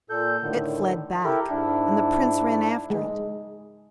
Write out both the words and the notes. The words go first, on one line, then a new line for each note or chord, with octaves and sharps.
It fled back, and the Prince ran after it.
A#2 A4 G6
A2 D3 D#3
E4 G4 A4 A#4
G#2 D4 E4
G#3